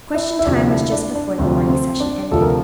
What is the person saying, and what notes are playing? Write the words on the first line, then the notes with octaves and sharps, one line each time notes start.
"Question time" was just before the morning session ended.
E4
E4
D2 C3 F3 D4
E4
D4
D4
D2 C3 F3 C4
C4
D4
D2 C3 F3 A4
A#4